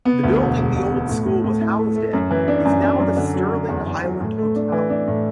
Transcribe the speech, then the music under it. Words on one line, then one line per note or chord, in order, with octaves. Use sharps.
The building the old school was housed in is now the Stirling Highland Hotel.
B3
D2
E1
E1
E1
B3
A2
A2
A2
E4
A3
A3
F#2
E3
D4
F#2
D4
F#2
D3
F#3
D3
E2
E2
F#3
A2
A3
D4
E3
D4
A2